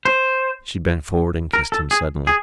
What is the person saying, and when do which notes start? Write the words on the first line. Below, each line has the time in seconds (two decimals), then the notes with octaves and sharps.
She bent forward and kissed him suddenly.
0.05 C5
1.53 A#4
1.72 A4
1.91 G#4
2.27 G#4